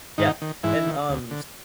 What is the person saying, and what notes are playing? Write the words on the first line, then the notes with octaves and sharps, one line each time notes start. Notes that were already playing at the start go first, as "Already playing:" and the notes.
Yeah, and, um, s
G#2 D#3 D#4
D#3
G#2 E3 E4
D#3
D2
D3